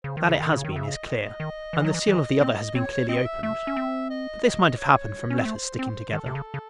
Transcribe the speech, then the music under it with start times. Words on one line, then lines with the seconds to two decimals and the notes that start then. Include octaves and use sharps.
That it has been, is clear: and the seal of the other has been clearly opened; but this might have happened from letters sticking together.
0.04 C#3 C5
0.17 D#3 A4
0.29 C#3
0.38 D#3 A4
0.52 C#3 C#5
0.64 D#3
0.72 C#3 E5
0.88 D#5
1.06 D#5
1.17 C#5
1.23 D#5
1.40 D#3
1.73 E3
1.84 F#3
1.94 E3
2.08 E3
2.41 C4
2.75 C4 C#5
2.92 C#5
3.09 C4 D#5
3.26 E5
3.43 A3 E5
3.67 C#4
3.76 C4
4.10 D#5
4.44 D#5
4.78 C#5
5.30 C#4
5.38 C4
5.45 A3 C5
5.79 C4
6.12 D#3 A4
6.26 C3
6.35 C#3
6.54 C#3